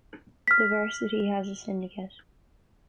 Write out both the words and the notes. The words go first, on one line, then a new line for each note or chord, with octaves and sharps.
The varsity has a syndicate.
F6 B6